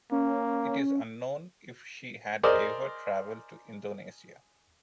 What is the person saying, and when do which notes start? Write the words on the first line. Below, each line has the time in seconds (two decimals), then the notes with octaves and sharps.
It is unknown if she had ever traveled to Indonesia.
0.12 A#3 C#4
2.43 G#4 A#4 C5 D5 D#5